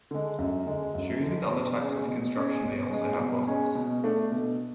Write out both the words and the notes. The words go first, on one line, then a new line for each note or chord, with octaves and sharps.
Shoes with other types of construction may also have welts.
D3 G#3
F#2
D3 G#3
F#2
D3 G#3
B2
G#3 C#4 G#4
B2
G#3 C#4 G#4
B2
G#3 C#4 G#4
B2
G#3 C#4 G#4
B2
A3 D4
B2